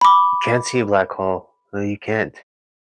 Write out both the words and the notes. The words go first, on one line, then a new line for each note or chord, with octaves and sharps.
Can't see a black hole. No, you can't.
B5 D6